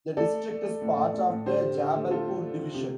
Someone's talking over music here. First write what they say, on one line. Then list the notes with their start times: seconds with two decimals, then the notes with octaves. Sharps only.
The district is part of the Jabalpur Division.
0.17 A3 A4 D5
0.34 A3
0.50 A3
0.66 A3
0.82 A2
0.97 A2
1.14 A2
1.30 A2
1.46 D3 G4 C5
1.62 A3
1.78 D3
1.95 A3
2.10 A3 F4 A4
2.27 A3
2.43 A3
2.59 D3
2.74 C3 G4